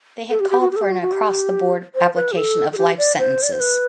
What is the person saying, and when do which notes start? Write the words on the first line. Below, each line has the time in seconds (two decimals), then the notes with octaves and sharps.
The had called for an across the board application of life sentences.
0.30 A4
0.40 G4
0.50 G4
0.61 F#4
0.71 G4
0.76 A4
0.82 G4
0.91 F#4
1.02 F#4
1.12 G4
1.95 C5
2.15 B4
2.32 G4
2.37 A4
2.73 A4
2.77 G4
2.98 D5
3.18 C5
3.43 D5
3.52 C5
3.60 B4